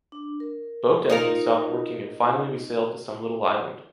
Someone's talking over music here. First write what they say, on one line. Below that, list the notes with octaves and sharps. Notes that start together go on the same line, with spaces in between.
Boat engine stopped working and finally we sailed to some little island.
D4
A#4
D#4 F4 A#4